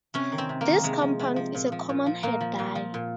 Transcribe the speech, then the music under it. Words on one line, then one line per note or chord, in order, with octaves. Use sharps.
This compound is a common hair dye.
C3 C#4
D#3
C4
C3
A#3
D#3
C3 G#3
F3
C3
F3
A#2
F3
A#2
F3
A#2 A#3
F3
A#2
F3
A#2